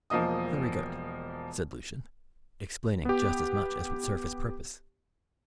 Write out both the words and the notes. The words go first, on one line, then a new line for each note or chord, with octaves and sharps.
"Very good," said Lucian, explaining just as much as would serve his purpose.
E1 F3 A#3 D#5 D#6
B3 G4